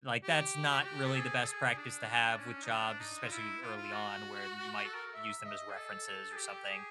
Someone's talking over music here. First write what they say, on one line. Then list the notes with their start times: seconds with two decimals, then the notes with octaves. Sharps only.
like, that's not really the best practice to have with jobs, especially early on where you might use them as references or something.
0.23 G4
0.79 F#4
0.85 G4
1.05 A4
1.16 G#4
1.42 A4
1.47 G#4
1.77 D4
2.34 D4
2.39 C#4
2.63 D#4
2.69 D4
3.00 D#4
3.24 F4
3.31 E4
3.62 F4
3.76 F4
3.92 F#4
4.84 A4
4.94 A#4
5.14 E5
5.45 D#5
5.70 G#4
5.76 A4
6.07 A4
6.32 G#4
6.37 G4
6.69 G#4